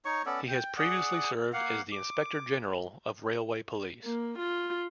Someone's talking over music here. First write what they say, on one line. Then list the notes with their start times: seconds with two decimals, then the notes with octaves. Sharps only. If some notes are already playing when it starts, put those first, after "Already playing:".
He has previously served as the Inspector General of Railway Police.
0.05 D#4 C#5 C#6
0.26 B3 C#4 A4 D5
0.48 G5
0.77 G#4 D5 F#5
1.53 A#3 F5 F#5
1.92 D6
4.05 A#3
4.38 F4